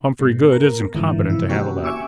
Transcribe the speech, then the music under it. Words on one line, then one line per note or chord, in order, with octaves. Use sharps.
Humphrey Goode isn't competent to handle that.
G#2 B2
A#4
G#2 D3 E3 F3
C3 E4
A#3 C#4 F#4 G4
E5 G#5 C#6 D6 E6